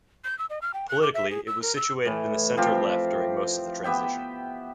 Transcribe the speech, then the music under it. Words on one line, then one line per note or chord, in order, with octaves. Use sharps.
Politically, it was situated in the centre-left during most of the transition.
G6
E6
D#5
F6
G5
F#6
D6
E5
G#4
E6
A#4
E6
A2 E3
F3 C4 F4 G4
B3 G4 E5 G5